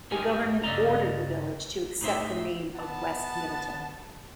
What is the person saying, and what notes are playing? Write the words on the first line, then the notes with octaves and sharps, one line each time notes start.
The government ordered the village to accept the name of West Middletown.
G#2 D#4 G4 A#4 C5 G#5
G2 C#3 A4 D5 D#5 A#5
A2 D#4 C5 E5
B3 A5